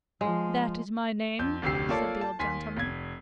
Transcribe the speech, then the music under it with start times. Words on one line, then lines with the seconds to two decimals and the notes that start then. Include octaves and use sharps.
'That is my name,' said the old gentleman.
0.21 F3 G#3
1.39 F2 G6
1.62 F1 D2 G4 E6 C7
1.89 A#3 F4 A4 C#5 D5 A5
2.21 A5
2.39 D#2 G#5 C6 B6
2.77 F1 G#6